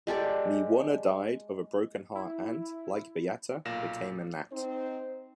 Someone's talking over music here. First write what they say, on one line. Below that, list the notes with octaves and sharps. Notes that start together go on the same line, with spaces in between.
Me Wunna died of a broken heart and, like Byatta, became a nat.
G#3 G4 A4 D5
E4
B1 A#2 F5 A#6 E7
C4 D#4 C5